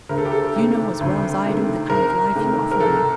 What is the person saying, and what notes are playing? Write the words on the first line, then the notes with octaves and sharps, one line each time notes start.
You know as well as I do the kind of life you offer her.
D2 A#4
A4
G4
A4
C3 D#3 A3
D2
C3 D#3 A3
C2 A#4
C3 D#3 A3
A#4
C2 A4